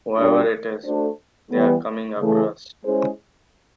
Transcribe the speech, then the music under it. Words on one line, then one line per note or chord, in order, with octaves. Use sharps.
Whoever it is, they are coming after us.
B2 G3 A#3 D4
A3 D4 F#4 A4 C5
E3 G3 B3
C#3 E3 A3
G#3 C#4 E4 G#4 C5